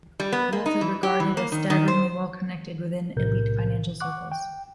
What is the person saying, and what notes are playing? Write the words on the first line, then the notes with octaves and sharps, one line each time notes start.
Wolf is regarded as "staggeringly well connected" within elite financial circles.
G3
B3
A#3
D#4
E3
G4
E3
A#3
D#3
D#3
C5
B1 A2 C3 A#4 G6
F#5 C#6 D6 F#6
G5